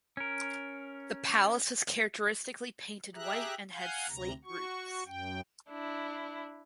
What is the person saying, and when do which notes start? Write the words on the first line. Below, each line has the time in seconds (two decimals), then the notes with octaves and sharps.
The palace was characteristically painted white and had slate roofs.
0.17 C#4 A#4
3.15 G4 G#4 E5 A#5 F#6
3.73 F5 F#5 G#5 G6
4.09 D2 C3 A#5
4.45 F#4 C#6
5.06 F#2 G5
5.70 D4 E4